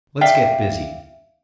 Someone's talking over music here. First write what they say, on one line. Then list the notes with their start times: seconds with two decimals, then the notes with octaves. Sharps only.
Let's get busy.
0.21 D5 E5 F5 G5